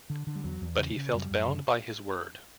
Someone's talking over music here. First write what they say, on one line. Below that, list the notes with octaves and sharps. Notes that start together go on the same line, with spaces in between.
But he felt bound by his word.
D3
D3
G3
E2 F#3
E2
C#3
C#3
F#2 G3
F#2
C#3